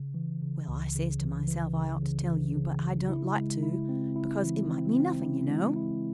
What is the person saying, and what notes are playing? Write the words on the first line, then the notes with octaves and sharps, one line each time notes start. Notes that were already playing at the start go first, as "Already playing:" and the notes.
"Well, I says to myself I ought to tell you, but I don't like to because it might be nothing, you know!"
Already playing: C#3
E3
C#3
C#2
C#3
E3
E3
C#3
C#3
E3
C#3
C#3
E4
G#3
E4
C4
E4
E3
C4
C4
E4
G#3
E4